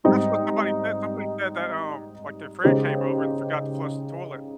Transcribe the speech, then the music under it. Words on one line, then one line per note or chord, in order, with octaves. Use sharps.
Well, that's what somebody said somebody said that, um, like, their friend came over and forgot to flush the toilet,
G#2 G3 C4 D#4
C#3 G#3 D#4 G4 C5